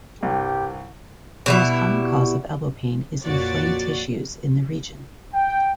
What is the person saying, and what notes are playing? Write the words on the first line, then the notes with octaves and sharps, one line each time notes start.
The most common cause of elbow pain is inflamed tissues in the region.
C2 G2 G4
B2 G3 E4
F2 A#2 F#4 C#5 D5 A6
G5